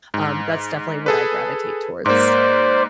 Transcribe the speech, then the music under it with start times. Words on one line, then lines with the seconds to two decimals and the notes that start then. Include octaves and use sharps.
um, that's definitely what I gravitate towards.
0.14 G#2
1.06 G#4 A4 B4
2.06 G#2 A#3 C5 D5